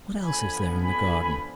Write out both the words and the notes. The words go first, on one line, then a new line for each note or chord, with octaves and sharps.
"What else is there in the garden?"
D3 F3 B3 G#5 B5
G#5 B5